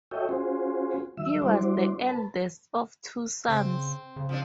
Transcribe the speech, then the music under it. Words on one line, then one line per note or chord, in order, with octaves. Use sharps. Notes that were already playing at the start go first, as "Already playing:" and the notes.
He was the eldest of two sons.
F#4 A4 C#5 D#5 E5 G5
C#4 F4 F#4 G#4 C5
D#3 F#3 E5 E6
G3 D4 E4 F#4 C5 D5
B4 A5
C#3 C4
C#3
F3 C4 D4